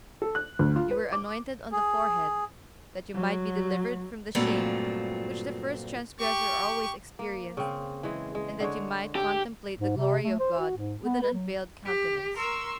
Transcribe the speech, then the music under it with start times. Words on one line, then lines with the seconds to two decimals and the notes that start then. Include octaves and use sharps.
You were anointed on the forehead, that you might be delivered from the shame which the first transgressor always experienced, and that you might contemplate the glory of God with an unveiled countenance....
0.22 A4
0.35 F#6
0.59 D2
0.76 F4
0.91 B4
1.13 D6
1.72 G#4
3.14 F#3
4.35 G2 A#2 F#3 A3 C4 F4
6.19 G4 C#6
7.19 A#3
7.57 C#3 C4
8.03 E3 G#3
8.35 G#3
8.60 D3 G#3 C#5
9.15 G4 A4
9.79 G#2
9.96 C3
10.24 A3
10.39 C5
10.59 F#4
10.77 G#2
11.03 B3
11.22 B4
11.33 F#3
11.85 G4
12.38 A#4 C6 C#6 E6